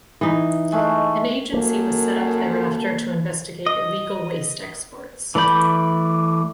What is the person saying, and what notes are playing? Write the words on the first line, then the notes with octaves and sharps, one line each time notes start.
An agency was set up thereafter to investigate illegal waste exports.
E3 D#4
G#3 A3
F#2 A#3 A4
D#5
E3 A3 D5 B5 G6